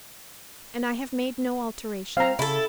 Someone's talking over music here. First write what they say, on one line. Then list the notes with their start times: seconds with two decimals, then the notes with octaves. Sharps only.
And I have made no alterations.
2.17 C4 F5 A#5
2.39 C#3 E4 A4